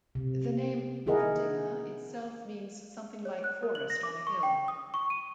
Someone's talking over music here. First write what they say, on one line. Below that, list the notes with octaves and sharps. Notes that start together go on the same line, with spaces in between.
The name "Uppvidinge" itself means something like forest on a hill.
C3
D#3 E4 G#4 A#4 D#5 F#5
C#5
F#6
A#4
F#7
A#6
D6
C#6
G5
D#6
C#6
D#7